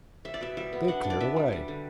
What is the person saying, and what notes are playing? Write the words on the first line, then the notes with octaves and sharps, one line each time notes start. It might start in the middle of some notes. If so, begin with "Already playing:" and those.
They cleared away.
G3 E5
D5
B2 E5
G3 E5
B3
D4 F#5
D4
D5
B3 E5
G3
G3
D3